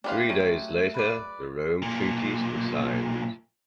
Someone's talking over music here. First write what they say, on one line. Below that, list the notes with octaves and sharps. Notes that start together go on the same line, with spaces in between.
Three days later the Rome treaties were signed.
A3 D4 G4 B4 F5 C6
F#3 G#3 C#4
B4 D5
B1 A#2